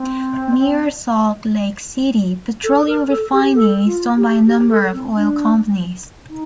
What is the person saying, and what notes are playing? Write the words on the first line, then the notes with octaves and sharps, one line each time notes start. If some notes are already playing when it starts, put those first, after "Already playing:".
Near Salt Lake City, petroleum refining is done by a number of oil companies.
Already playing: C4
A4
A#4
A4
G4
A4
F4
G4
G4
A4
C4
D4
D#4